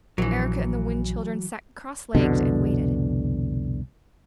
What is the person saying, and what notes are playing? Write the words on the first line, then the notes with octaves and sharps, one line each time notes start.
Eric and the Wind Children sat cross-legged and waited.
A#1 E3 F#3
C2 F2 B2 D3